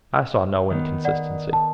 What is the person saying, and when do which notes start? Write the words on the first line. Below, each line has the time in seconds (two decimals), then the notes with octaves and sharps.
I saw no inconsistency.
0.70 D#3 B3
1.05 D5 F#5
1.53 A5